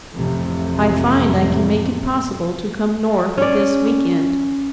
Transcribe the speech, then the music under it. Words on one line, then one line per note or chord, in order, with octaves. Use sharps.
I find I can make it possible to come north this week-end.
A1 F2 C3 A3
C#4 D5